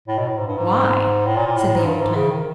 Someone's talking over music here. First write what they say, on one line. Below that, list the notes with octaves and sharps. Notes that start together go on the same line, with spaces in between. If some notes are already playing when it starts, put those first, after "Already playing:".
"Why?" said the old man.
A2
B2
A2
G#2
G2
G#2
A2
A#2
A#2
A2
A2
G#2
G2
G#2
C#3
D#3